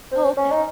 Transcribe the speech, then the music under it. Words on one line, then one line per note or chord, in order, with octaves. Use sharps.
Oh, okay,
C4
C#4
D#4